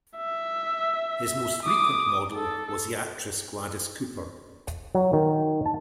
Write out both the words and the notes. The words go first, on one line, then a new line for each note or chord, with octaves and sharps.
His most frequent model was the actress Gladys Cooper.
E5
D6 D#6
A4
F#3
D#3
A5